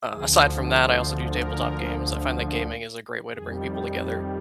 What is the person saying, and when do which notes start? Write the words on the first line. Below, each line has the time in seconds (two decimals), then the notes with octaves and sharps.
uh, aside from that, I also do tabletop games. I find that gaming is a great way to bring people together.
0.11 D2 D3 F3 G#4
0.92 C5
1.32 A#4
3.31 F2 D#3 G3 G#4
3.71 C4